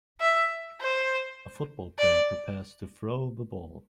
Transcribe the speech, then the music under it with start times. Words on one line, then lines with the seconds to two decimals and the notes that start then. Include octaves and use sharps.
A football player prepares to throw the ball.
0.21 E5
0.81 C5
1.99 D5